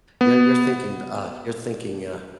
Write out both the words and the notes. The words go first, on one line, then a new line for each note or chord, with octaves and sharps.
Yeah, you're thinking, uh you're thinking, uh
B3